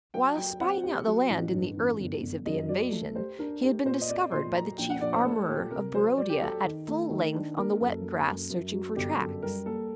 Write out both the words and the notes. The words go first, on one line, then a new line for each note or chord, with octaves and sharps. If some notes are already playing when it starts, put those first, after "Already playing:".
While spying out the land in the early days of the invasion, he had been discovered by the Chief Armourer of Barodia at full length on the wet grass searching for tracks.
F#3 G5
F#3 G5
C4 F#5
G4
F#3
A1
G2
A1
G1
G1
F#2 D#5
F#3 D5
A3
G4 C5
D4 A#4
G4 A#4
A#2 C5
D#5
C4 D5
A#2 C6
F#3 A#5
A#1 G5
F#5
A#1 D5
C5
A3 A4
A#2 G4
C3 A#4
F#3 C5
F#3 D5
G4
F#3 A4
D#3
A3
D#3
D4
A#3 A#4
F#2 A4
A#3
F#2
F#2
F#3
G1 G4
F#2 A4
G3 A#4
A#3 A4